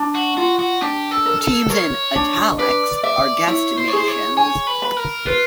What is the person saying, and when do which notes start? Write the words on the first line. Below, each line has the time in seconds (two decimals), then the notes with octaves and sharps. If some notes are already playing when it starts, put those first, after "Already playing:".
Teams in "italics" are guest nations.
Already playing: D4
0.15 F#4
0.37 F4 F#4
0.59 F#4
0.81 D4 G4
1.11 A4
1.26 A#4
1.41 A4
1.70 A#4 C#5
2.15 D4
2.59 B4 D5
3.03 D5 E5
3.48 E4 C#5
3.78 C5
3.88 C#5
3.93 G#4 C5
4.08 C#5
4.37 C#5 G#5
4.67 B4
4.82 B5
4.97 A#4
5.26 F4 B4